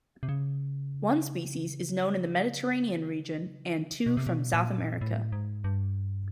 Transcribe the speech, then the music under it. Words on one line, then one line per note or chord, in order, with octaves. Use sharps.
One species is known in the Mediterranean region and two from South America.
C3
C#3
B2
C3
B2
A#2
A2
G#2
G2